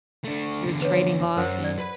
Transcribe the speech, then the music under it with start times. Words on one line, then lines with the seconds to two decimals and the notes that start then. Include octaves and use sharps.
you're trading off and
0.24 A3 D4
0.66 E2 D3
0.82 B4 C#5
1.37 F#2 A#4 C5 F#5
1.64 D5
1.79 B4 B5